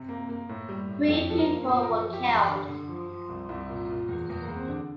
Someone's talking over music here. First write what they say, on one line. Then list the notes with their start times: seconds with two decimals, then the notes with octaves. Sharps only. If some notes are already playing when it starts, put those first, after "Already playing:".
Three people were killed.
Already playing: C3
0.09 A#3
0.29 A#3
0.49 A2
0.69 G3
0.89 A2
1.08 F2 A4
1.29 F3 A4
1.39 A#4
1.49 A#3
1.68 A#2 C5
1.83 A#4
1.88 F3
1.99 A4
2.08 F3 G4
2.28 E2
2.49 D3
2.69 D3
2.89 F3
3.09 F3
3.29 C2
3.49 C2 E4
3.70 A#2
3.89 A#2
4.09 E2
4.30 E2
4.43 A#3
4.49 E2
4.56 C4
4.68 D3 D4